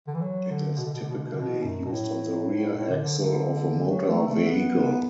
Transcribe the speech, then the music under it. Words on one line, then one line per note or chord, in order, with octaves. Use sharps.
It is typically used on the rear axle of a motor vehicle.
D3
E3
F#3
D3
B2
D3
B2
D3
B2
D3
B2
D3
B2
F#2
B2
A2
A2
D3
D3
D3
F#3
A3
A3
B3